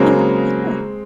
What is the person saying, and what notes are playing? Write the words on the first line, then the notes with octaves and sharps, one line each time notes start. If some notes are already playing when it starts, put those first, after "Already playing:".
Thanks, you too.
Already playing: C#3 F#3 G#3 A#3 C4